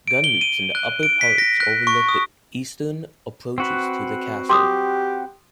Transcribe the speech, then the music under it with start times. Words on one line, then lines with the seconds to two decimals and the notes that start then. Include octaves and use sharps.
Gunloops in the upper parts overlook the eastern approaches to the castle.
0.08 D7
0.24 G7
0.41 D#7
0.75 F#6
1.03 D7
1.21 B6
1.38 A#6
1.60 F#6
1.87 C#6
2.09 D#6
3.58 C4 F#4 B4
4.50 G4 C6 D6 D#6